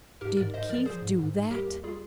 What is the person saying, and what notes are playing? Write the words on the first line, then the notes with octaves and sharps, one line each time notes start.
"Did Keith--do that?"
G#2 G4 A#4
G#2 A#4 D5
G#2 C5 D#5
F3 A#4 D5
F3 G#4 C5
G#2
G#2
G#2
G3 G4 A#4
D#2
G3 F4 G#4